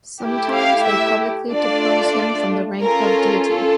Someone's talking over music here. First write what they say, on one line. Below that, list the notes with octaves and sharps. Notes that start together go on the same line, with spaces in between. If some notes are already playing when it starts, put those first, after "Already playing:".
Sometimes they publicly depose him from the rank of deity.
A3 E4 G4
F5
E5
A3 D4 F4 D5
C#4 F4 A4 A#4
A4